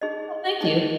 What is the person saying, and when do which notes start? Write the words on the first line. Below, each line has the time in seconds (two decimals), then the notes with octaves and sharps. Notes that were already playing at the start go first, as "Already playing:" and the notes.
Oh, thank you.
0.01 D#4 G#4 D#5
0.61 D#4 G#4 D#5